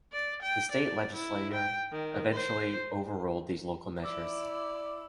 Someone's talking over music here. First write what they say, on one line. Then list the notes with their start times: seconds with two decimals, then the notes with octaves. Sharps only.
The state legislature eventually overruled these local measures.
0.12 D5
0.42 G5
0.71 D5
1.14 E4
1.53 G5
1.92 D#3
2.32 C5
4.04 E4 D5 D6 E6